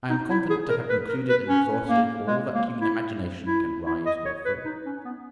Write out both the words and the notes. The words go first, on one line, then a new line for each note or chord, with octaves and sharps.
I am confident to have included and exhausted all that human imagination can rise or fall to.
D#4
E4
G#4
A#4
B4
A#4
B4
C#4
A#3
G#3
A#3
E4
E4
E4
D#5
C#5
B4
D#4
C#4
B3